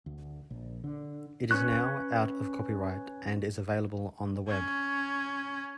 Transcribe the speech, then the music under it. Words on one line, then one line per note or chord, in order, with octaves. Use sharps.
It is now out of copyright and is available on the web.
D2
A#1
D3
C#4 B4 C#6 F#6
C#4